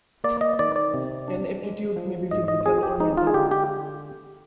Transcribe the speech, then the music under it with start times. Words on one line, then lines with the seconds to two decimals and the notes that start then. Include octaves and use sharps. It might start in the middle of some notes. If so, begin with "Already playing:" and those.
An aptitude may be physical or mental.
0.24 A#3 D5
0.41 D#5
0.59 D#3 D5
0.76 D5
0.94 C3
1.28 D4
1.63 G#3
1.96 F3
2.31 G#2 D#5
2.48 D#5
2.65 C4 G#4
2.83 G4
3.00 G#3 D#4
3.17 F4
3.27 G#4
3.34 D3 G4
3.51 G4